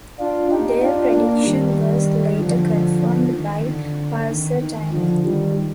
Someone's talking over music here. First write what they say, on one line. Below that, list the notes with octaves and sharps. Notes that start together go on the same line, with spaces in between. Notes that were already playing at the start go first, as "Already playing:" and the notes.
Their prediction was later confirmed by pulsar timing.
D4 F4
D#4 G4
D4 F4
A#3 D4
D#3 G3
D3 F3
D#3
D3
D#3
D#3
D3 F3
D#3 G3